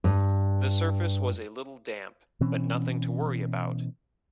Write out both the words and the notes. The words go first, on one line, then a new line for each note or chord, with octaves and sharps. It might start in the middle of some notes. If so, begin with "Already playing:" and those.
The surface was a little damp, but nothing to worry about.
G2
B2 E3 C4 C#4